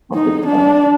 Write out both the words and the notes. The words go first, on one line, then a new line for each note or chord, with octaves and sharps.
Don't think so.
D#4
D4